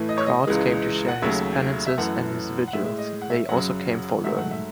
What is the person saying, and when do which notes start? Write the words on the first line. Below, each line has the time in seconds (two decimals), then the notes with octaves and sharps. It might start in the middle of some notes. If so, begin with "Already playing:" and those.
Crowds came to share his penances and his vigils; they also came for learning.
Already playing: A2 E3 A3
0.09 D#5
0.18 C#5
0.26 D#5
0.47 C#2 C#3 E3 G#3
1.08 F#5
1.22 D#2 C#3 F#3 A3 E5
1.87 E5
1.98 F#2 E3 A3 F#5
2.68 F#5
2.73 A2 G#3 E5
2.86 E5
2.98 D#5
3.22 F#5
3.30 E5
3.49 F#2 C#3 F#3 F#5
4.24 G#2 F#3 A3 E5
4.38 F#5
4.51 E5